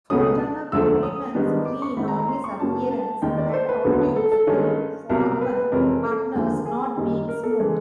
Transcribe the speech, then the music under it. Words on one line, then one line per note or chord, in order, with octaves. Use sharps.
Fontana compliments Green on his appearance, and alludes to former partners not being "smooth".
C#2 B2 F#3 A3 C#4 D#6
E1 D2 D3 F3 A3 E6
D#6
G#2 D#3 G3 B3 D4
D6
C#6
G#1 G#2 D#3 B5
A#5
A#5
C6
C#6
F#2 C#3 F#3 A#3 A5
A5
E1 D#2 D#3 G5
D5
C5
B4
E1 D2 D3 F#3 B3
A4
A4
G2 D#3 G#3 C#4
C2 B2 F#3 A#4
B4
B4
F2 C3 E3 G#3 C#4 A#4
A4
E1 D#2 D3 F3 A#3 G#4
G#4
F#2 D#3 G3 A#3
A#4
A4
C#3 E3 G#3